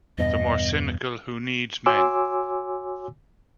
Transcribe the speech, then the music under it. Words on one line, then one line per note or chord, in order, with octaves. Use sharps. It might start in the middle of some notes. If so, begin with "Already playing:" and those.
The more cynical Who Needs Men?
E2 G2 B2 D#5
F#4 C#5 G#5 C6 D6 E6